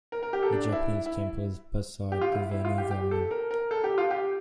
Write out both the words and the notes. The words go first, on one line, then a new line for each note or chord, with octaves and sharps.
The Japanese temple is beside the Venu Vana.
A#4
A#4
G4
A4
D4
E4
E4
G4
F4
E4
E4
F4
G4
G4
A4
A#4
A#4
A4
G4
F4
G4